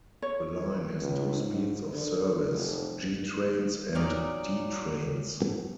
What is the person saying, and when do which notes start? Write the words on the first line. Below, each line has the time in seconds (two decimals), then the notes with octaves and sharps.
The line has two speeds of service, 'G' trains and 'D' trains.
0.22 C#5
1.00 C#2
1.41 G#2
1.94 D3
2.52 F1
3.01 G2
3.95 A#2 F#3 D#4 D5